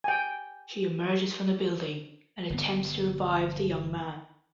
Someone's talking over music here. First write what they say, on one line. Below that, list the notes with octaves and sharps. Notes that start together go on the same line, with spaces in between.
She emerges from the building and attempts to revive the young man.
G5 G#5
G1 B2 B3